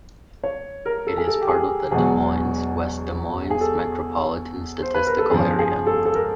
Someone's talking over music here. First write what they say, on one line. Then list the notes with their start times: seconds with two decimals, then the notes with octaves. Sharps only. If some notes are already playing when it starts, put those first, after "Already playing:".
It is part of the Des Moines - West Des Moines Metropolitan Statistical Area.
0.44 C#5
0.86 A#4
1.07 A4
1.17 G#4
1.28 A4
1.41 G4
1.48 G#4
1.91 E1 E2 B2 F#3 G#4
3.50 G#4
3.61 A4
4.82 C5
4.94 B4
5.07 A#4
5.18 A4
5.30 G1 F2 C#3 F3 G#4
5.59 G#4
5.87 A4
6.05 A4
6.15 A#4